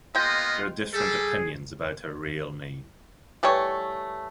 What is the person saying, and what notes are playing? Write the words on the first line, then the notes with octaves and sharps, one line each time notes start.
There are different opinions about her real name.
G#3 A#3 B3 F4 D#5 G5
G3 G#4 A4
E3 G3 A3 C#5